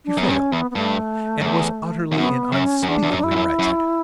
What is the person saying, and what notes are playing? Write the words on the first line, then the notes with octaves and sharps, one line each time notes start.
She failed, and was utterly and unspeakably wretched.
D4
F#2 B3
G2 C#4
E2 B3
B3
G2 A3
F#2
E2
E2
F#2 B3
F#2 C#4
F#2
E2 D4
E2
F#2
D4
E4
G2
F#2
F#2